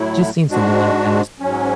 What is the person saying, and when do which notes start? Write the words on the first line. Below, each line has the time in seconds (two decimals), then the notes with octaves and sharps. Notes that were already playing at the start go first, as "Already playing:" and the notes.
Just seen something like that, it was
Already playing: A2 F#3 A3 E4
0.48 G#2 G#3 D4 F#4
1.40 G#2 F#3 C#4